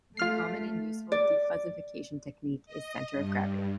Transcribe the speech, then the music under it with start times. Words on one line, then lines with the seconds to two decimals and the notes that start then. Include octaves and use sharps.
A common and useful defuzzification technique is "center of gravity".
0.17 A3 F4 F6 C7
1.12 D5
2.66 D#5
3.14 G2